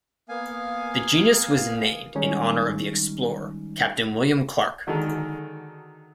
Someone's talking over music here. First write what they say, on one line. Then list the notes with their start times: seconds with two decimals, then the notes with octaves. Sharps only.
The genus was named in honour of the explorer Captain William Clark.
0.29 A#3 B3 F5 G#5
2.15 D#3 G3 G#3 C#4 D#4
4.87 D3 D#3 F#3 G#3 D#4 A4